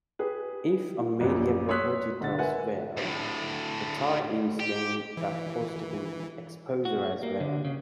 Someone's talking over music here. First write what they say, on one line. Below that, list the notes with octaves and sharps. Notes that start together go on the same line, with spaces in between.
If a media property does well, the tie-ins gain that positive exposure as well.
G4 G#4 B4
A#1 F#2 A#2
C#5 C6 D#6 E6 F#6 B6
B1 D3 F#5 A6
A#4 B4 E5 F#5 G#5
D2 A2
G4
E3
F#4
A#3
D3
C#3